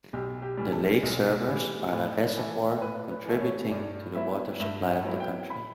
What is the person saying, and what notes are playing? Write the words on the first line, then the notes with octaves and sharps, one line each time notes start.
The lake serves as a reservoir contributing to the water supply of the country.
B1 G4
G4
A2 E3 G3
A4
B1
A2 E3 G3
A2
E3 A3
A2 B4
B4
E3 A3
C#5
G2 D5
F#3 B3 E4 E5
G2 E5
F#5
F#3 B3 E4
G5
B5